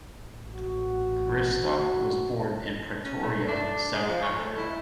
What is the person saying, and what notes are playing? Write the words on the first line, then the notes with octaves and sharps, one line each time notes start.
Gristock was born in Pretoria, South Africa.
A1
F#4
C#4
A3
D4
G#3
F3
C#5
A3
E4